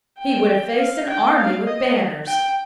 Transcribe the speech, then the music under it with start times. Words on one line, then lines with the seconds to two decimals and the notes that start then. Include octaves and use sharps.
He would have faced an army with banners.
0.19 G5
0.78 F5
1.08 G5
1.37 F5
1.67 D#5
2.27 G5